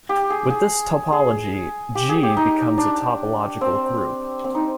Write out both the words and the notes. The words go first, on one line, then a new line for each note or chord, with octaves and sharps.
With this topology, "G" becomes a topological group.
G4
G#4
G#4
G#4
G4
G#4
G4
D#4
D4
C4
C4
D#4